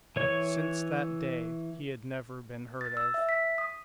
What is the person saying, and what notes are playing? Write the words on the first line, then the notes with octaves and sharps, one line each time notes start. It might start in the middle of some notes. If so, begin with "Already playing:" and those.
Since that day he had never been heard of.
E3 C#5 C#6
A6
E6
E5
B6
D#6